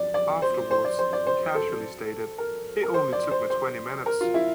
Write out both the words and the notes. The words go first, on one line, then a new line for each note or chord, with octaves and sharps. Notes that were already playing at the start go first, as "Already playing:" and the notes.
Afterwards he casually stated "it only took me twenty minutes".
Already playing: D5
D5
C5
C5
D5
C5
D5
C5
A4
A#4
A#4
C5
D5
C5
C5
A#4
F4
E4